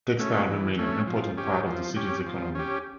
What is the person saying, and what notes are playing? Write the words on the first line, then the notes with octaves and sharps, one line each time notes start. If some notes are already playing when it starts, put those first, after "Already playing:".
Textiles remain an important part of the city's economy.
A3 C#4
E3
A3 C#4
F3
C#4 G4
F3
C#4 G4
F3
C#4 G4